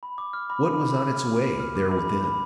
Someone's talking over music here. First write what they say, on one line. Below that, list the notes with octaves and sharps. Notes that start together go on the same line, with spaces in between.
What was on its way there within?
B5
D6
F6
B5
B5
B5
B5
F6
B5
B5
F6
D6
B5
B5
B5